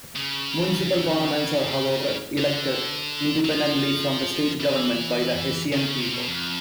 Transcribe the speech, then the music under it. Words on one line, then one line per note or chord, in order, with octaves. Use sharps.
Municipal parliaments are, however, elected independently from the state government by the Hessian people.
C#3
D3
F#3
F3
E3
D#3
C#3
C3
B2
F2